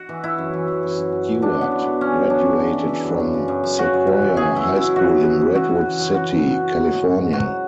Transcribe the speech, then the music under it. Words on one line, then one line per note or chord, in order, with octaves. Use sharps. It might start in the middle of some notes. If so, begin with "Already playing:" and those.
Stuart graduated from Sequoia High School in Redwood City, California.
Already playing: F#4
E3
E3 E4
F#2
E3
E3
F#2
F#2
F#2
E3
F#2 D4
F#2
B3
F#2
E3 B3
C#3 C#4
C#3
F#2 D4
F#2
C#3
E3
E3
F#2
F#2
C#3
F#2
F#2
C#3 F#4
F#2
C#3
E3
E3 G#4
F#2 E4
F#2
E4
F#2
E3 F#4
E3
E3
E3
E3 F#4
E3
E3
F#2
F#2 F#4
E3
E3
F#2
F#3
G#2
G#2
G#2
F#3 F#4